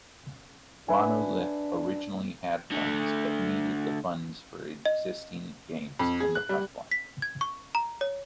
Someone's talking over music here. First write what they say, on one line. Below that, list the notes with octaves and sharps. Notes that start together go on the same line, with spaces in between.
Monolith originally had funds, but needed the funds for existing games in the pipeline.
D4 B4 E5 G#5
D3 A3
D#5
F2
G#4
F#6
G3
B6
G#6
C#6
A#5
C#5